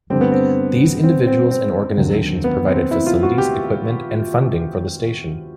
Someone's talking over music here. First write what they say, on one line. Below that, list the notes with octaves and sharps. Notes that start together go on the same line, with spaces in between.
These individuals and organizations provided facilities, equipment, and funding for the station.
G2 D3 G3 C4
B3
C4
C4
C4
C4
D#2 D3 F#3
B3
C4
E4
F4
F#4
G4